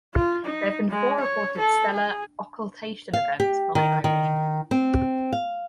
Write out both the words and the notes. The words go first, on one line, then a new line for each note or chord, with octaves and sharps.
There have been four reported stellar occultation events by Irene.
F4
D#4
G#3
C#5
A4
G#4
F5
G4
D#3
D#3
C4
F5